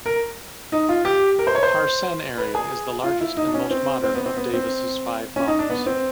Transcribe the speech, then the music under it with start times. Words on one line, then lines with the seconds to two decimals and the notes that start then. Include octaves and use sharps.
The Parsenn area is the largest and most modern of Davos' five mountains.
0.06 A#4
0.72 D#4
0.89 F4
1.05 G4
1.39 A#4
1.47 C5
1.55 C#5
1.63 C5
2.38 B4
2.55 G#4
3.04 F4
3.21 E4
3.37 D#4
3.47 D4
3.54 C#4
3.70 C4
4.03 C4
4.15 B3
4.26 C4
4.37 B3
4.54 C4
5.36 C#4
5.48 D#4
5.59 D4
5.70 B3
5.86 C4